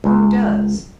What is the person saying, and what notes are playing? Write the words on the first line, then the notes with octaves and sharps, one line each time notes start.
"Who does?"
C#2